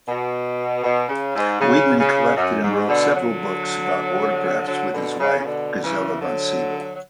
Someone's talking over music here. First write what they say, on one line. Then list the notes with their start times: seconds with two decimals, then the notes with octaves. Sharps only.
Wiedemann collected and wrote several books about autographs with his wife Gisela von Sybel.
0.07 B2
0.84 B2
1.09 C#3
1.35 G#2
1.61 C#3
1.99 C#3
2.37 F#2
2.63 G#2
2.88 B2 D3
3.14 D3 F#3
4.68 D3 F#3
4.93 B2 D3
5.19 C#3
5.39 C#3
5.44 B2 D3
5.82 C#3 E3
6.21 D3 F#3
6.93 F#3